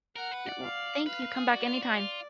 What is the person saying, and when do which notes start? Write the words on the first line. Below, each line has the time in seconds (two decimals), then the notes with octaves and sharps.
Yep. Well, thank you. Come back anytime.
0.16 A#4 F#5
0.31 B4
0.46 D5
0.62 F5
1.06 B4 F5
1.22 B4
1.36 G#4
1.51 F#4 D5
1.67 F4
1.83 F#4
1.97 F4